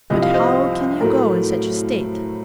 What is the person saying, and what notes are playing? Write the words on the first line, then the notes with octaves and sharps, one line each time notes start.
But how can you go in such a state?
C2 C3 F3 D#5
F5
C5 D#5
A2 F#3 A3 A#4